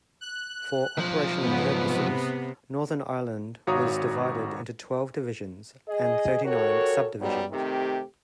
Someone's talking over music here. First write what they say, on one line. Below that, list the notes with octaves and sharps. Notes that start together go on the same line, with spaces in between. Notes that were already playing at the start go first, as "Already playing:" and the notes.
For operational purposes, Northern Ireland was divided into twelve Divisions and thirty-nine Sub-Divisions.
F#6
B1 F3
G#2 C#3 B3
C3
G#1 F#4 C#5 F5 A#5 D#6
G#4 D#5
F#4 G4 A4 A#4 C#5
B1 G#2 B2 F#3 G3
C3 D#3 A3 C4 G4